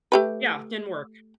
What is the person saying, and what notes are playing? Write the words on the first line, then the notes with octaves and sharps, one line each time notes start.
Yeah, didn't work.
A3 G4 B4